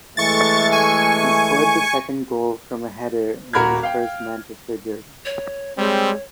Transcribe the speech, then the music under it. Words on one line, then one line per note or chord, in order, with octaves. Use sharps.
He scored the second goal from a header in his first Manchester derby.
E3 G#3 A3 C#6 A6
G#5 C#6
D#1 F#4 A#4 B5 F6 G#6
F5 G5
C#5
G3 G#3 C4 C#5